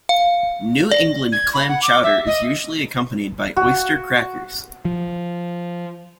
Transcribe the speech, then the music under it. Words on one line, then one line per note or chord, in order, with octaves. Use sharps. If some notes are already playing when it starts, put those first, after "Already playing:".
New England clam chowder is usually accompanied by oyster crackers.
F5
D5
G#6
B5
F#5
D6
E5
D#5
F#4
F3